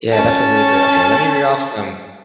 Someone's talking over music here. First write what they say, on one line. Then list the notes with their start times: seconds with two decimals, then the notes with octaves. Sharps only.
Yeah. That's a really great okay, let me read off some
0.12 C#4 A5